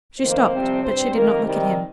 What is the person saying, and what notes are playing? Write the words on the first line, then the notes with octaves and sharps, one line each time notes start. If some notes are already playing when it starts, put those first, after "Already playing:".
She stopped, but she did not look at him.
F2 D#3 A#3 C5
F2 C3 G3 C4
G2 G3 C4 C5
F2 D#3 A#3 A#4
C3 D#3 G3 C4 G4